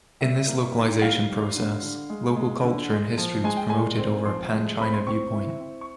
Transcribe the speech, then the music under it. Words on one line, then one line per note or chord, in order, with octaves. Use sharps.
In this localization process, local culture and history was promoted over a pan-China viewpoint.
G3 E5
A#3
D#4
G3 F5
G3
D3
D3
G#3
G#3
D3
G#3
F3
G#3 G#5
G5
A#2 G#5
C4
F3 C6
G#3
C4 B5
C6
C4 C#6
E4
C4
C#6